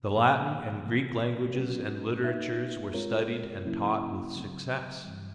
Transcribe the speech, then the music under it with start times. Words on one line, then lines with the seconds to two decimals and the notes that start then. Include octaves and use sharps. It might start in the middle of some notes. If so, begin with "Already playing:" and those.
The Latin and Greek languages and literatures were studied and taught with success.
0.14 A#2 F3 A#3
0.84 C3 E3 A3
1.54 F#3 A#3 C#4 F#4 B4
2.24 A#3 D#4 F#4 B4 E5
2.94 G#3 C4 F4 A#4 C#5
3.65 C#3 F#3 A#3 C#4 E4
4.36 C#3 F#3 A3 C4
5.05 G2 E3 G3